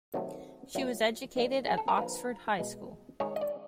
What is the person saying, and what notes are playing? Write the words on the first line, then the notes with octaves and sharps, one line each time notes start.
She was educated at Oxford High School.
C3 D#3 F#3 A3
A#2 F#3 A3
D#3 G3 A#3
G#4
A4
A#4
D3 F3 A#3 B4
B2 G#3
D#3 G#3 C#5
D#5
D5